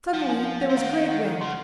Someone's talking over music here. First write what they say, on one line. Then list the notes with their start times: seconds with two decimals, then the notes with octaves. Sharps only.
Suddenly there was a great wind.
0.13 F3 F#5
0.29 G#5
0.45 F5
0.61 F#5
0.70 F3
0.77 D#3 F5
0.93 F5
1.09 F#5
1.25 F#5
1.41 C#3 C6